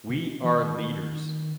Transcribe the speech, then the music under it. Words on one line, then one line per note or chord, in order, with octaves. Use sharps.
We are leaders.
B2
E3
D#3